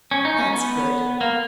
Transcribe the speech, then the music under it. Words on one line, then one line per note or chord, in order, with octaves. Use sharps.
That's good.
C#4
D#4
C#4
B3
A#3